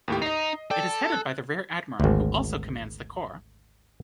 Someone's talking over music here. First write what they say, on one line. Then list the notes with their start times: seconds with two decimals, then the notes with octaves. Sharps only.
It is headed by the Rear Admiral, who also commands the Corps.
0.08 D#2 A2 G4
0.22 D#4 D#5 C7
0.71 A4 D5 G5
1.12 F#6
2.00 G#1 D2